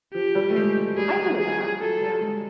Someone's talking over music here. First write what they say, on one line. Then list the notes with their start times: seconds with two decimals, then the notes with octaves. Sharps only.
Okay. I've heard of that. Yeah.
0.14 F3 G4
0.35 G3
0.50 A3
0.56 G#3
0.97 G3 G#4
1.19 F#3
1.39 F3 G#4
1.59 F3
1.80 F#3 A4
2.01 G3
2.21 G#3